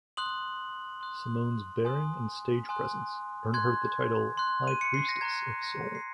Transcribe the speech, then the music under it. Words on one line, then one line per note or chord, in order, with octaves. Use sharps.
Simone's bearing and stage presence earned her the title "High Priestess of Soul".
C6 D#6 F#6 F#7
C6 D#6 F#6
G#5 C6 D#6 F#6
G#5 C6 D#6 F#6
C6 F#6 G#6
C6 F#6
D#7
C#7
C7
A#6
A#5 C#6 F#6 G#6
A#6
C7